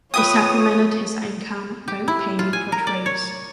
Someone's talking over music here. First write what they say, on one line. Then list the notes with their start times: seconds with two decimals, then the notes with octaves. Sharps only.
He supplemented his income by painting portraits.
0.14 F4 B4 C#5 E5 G5 D#6
1.88 G4
2.08 E4
2.39 F4
2.53 G#5
2.72 A#4
2.87 D5
3.06 C#5